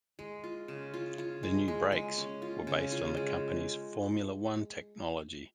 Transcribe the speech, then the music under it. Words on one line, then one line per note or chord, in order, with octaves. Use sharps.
The new brakes were based on the company's Formula One technology.
G#3
F4
C#3
F4
F4
G#3
G#3
G#3
C#4
F4
C#3
F4
G#3